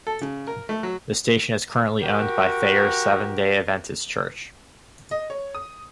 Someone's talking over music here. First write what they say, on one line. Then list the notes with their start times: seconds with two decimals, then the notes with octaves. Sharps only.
The station is currently owned by Thayer Seventh-day Adventist Church.
0.07 A4
0.21 C#3
0.47 A#4
0.69 A3
0.83 F#3
2.01 F#4 G4 A#4
5.11 D#5
5.30 C#5
5.55 D#6